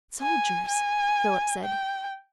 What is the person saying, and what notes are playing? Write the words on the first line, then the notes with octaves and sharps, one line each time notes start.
"Soldiers!" Philip said.
G#5
G#5
G5